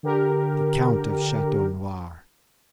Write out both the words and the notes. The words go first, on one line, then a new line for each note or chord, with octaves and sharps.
"The Count of Chateau Noir."
D3 G4 A#4